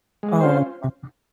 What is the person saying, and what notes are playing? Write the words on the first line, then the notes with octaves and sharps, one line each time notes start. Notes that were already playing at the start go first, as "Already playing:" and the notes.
Oh. Uh-uh.
G#3
C#4 F4 C5